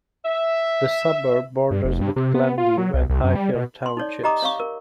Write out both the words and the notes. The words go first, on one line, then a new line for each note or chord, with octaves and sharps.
The suburb borders with Glen View and Highfield townships.
E5
G2
F1
G2
C3
B3
F4
F#3
C2
C2
F#2
G3
B2
C6
D#4 A4 C#5 D5
G4 D#5 A#5 D6 D#6
C#5 F5 C#6
A#4